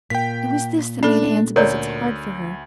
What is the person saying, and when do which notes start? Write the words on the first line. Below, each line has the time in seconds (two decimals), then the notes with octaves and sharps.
It was this that made Anne's visits hard for her.
0.10 A#2 A#3 G5 B6
1.03 C#4 D4 A4
1.56 D2 A#4 C#5 D5 A#5